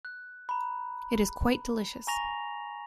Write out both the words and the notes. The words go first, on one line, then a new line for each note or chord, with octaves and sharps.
It is quite delicious!
F#6
A#5 B5
G#5 A#5 C#6 A#6 F7